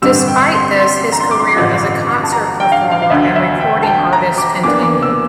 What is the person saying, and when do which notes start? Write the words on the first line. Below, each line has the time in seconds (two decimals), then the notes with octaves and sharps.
Despite this, his career as a concert performer and recording artist continued.
0.02 A1 G2 D3 G3 C4 E6
0.28 G5
0.54 C6
0.80 C6
1.05 C6
1.12 A#5
1.20 C6
1.31 D6
1.39 C6
1.48 D6
1.56 A1 G2 D3 F3
2.24 A5
2.33 A#5
2.60 G5
2.72 F5
2.91 F5
3.02 F5
3.10 E1 D2 D3 E5
3.36 E5
3.61 G5
3.83 A5
3.87 G5
4.13 A#5
4.38 D6
4.63 E2 E3 A#3 D4 D6
4.83 D6
5.03 E6